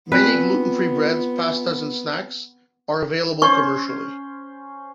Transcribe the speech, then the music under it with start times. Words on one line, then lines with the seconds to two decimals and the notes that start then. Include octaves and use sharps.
Many gluten-free breads, pastas, and snacks are available commercially.
0.12 B3 C4 F4 B4 D5 G#5
3.42 C#4 C5 C#6